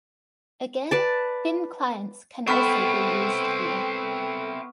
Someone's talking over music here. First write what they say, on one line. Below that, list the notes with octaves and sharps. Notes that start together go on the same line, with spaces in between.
Again, thin clients can also be used here.
B4 D5 A5
B3 C4 E4 A4 G5 B5 C#6 F6